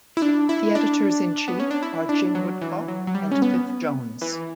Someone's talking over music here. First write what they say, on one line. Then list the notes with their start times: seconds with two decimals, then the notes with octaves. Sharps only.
The editors-in-chief are Jim Woodcock and Cliff Jones.
0.17 E4
0.22 D4
0.49 E4
0.75 D4
1.48 B3
1.60 C#4
1.71 D4
1.83 E4
2.09 D4
2.35 F#3
2.62 E3
2.88 F#3
3.07 F#3
3.15 G3
3.31 C#4
3.42 B3
4.21 E3